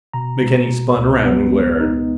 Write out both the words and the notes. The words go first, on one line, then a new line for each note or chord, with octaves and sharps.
McKenny spun around and glared.
B2 A#5
G#3
B2
C#2
B3
G#3
D#4